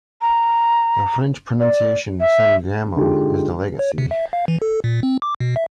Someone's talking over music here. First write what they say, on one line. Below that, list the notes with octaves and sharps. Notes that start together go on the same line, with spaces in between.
The French pronunciation "San-Gamo" is the legacy.
A#5
D5
E5
D3 G#3 D#4 F4 G4 G#4
C#5
C3
E5
F5
E3
A4
A#2
C4
D6
B2
E5